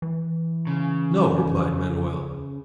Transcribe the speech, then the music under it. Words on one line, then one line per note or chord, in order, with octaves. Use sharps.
"No!" replied Manoel.
E3
C#3